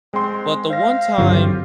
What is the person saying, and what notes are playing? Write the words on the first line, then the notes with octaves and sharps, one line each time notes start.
but the one time,
G#3 C4 C6
C5 F5 A#6
G2 D3 F#3 C4 F4 G4